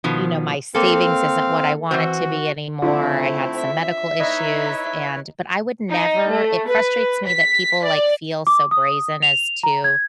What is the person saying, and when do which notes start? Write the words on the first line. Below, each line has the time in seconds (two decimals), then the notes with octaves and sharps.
you know, my savings isn't what I want it to be anymore, I had some medical issues and but I would never it frustrates me that people, like, feel so brazen as to
0.04 B2 D#3 F3
0.75 A#3 C4 A4 F5
1.91 E3 C4 F#4 C5
2.82 D3 F3 A3 C4 E4
3.58 E5
4.20 D#4 E4 B4 C#5 D#5
5.90 D#4
6.30 A3
6.67 B4
7.27 B6
7.85 D5
8.47 D6
8.71 D#6
9.23 F7
9.63 A#5
9.84 G#6